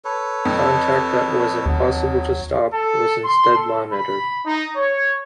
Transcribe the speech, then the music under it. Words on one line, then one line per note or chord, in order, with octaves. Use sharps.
Contact that was impossible to stop was instead monitored.
A4 B4 C#5
F2
D#2 F#3
A4
C6
A4
B5
D#4
C#5